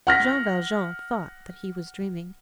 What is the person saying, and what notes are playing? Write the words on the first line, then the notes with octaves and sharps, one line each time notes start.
Jean Valjean thought that he was dreaming.
F#5 F6 A#6 B6